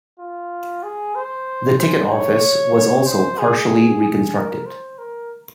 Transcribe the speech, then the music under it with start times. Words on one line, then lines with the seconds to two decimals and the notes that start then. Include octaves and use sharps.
The ticket office was also partially reconstructed.
0.19 F4
0.83 G#4
1.15 C5
1.79 C5
2.12 C#5
2.74 C#5
3.07 C5
3.39 G#4
4.02 G#4
4.35 A#4
4.67 C5
4.99 A#4